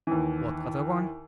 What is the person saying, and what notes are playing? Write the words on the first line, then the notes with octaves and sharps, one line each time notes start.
"What other one?"
D#2 E3